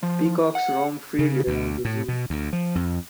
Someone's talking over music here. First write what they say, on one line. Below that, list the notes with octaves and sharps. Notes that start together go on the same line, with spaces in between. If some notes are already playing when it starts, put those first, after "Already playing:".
Peacocks roam freely around the zoo.
F3
F#5
C#3
D2
A2
B2
D2
F3
F2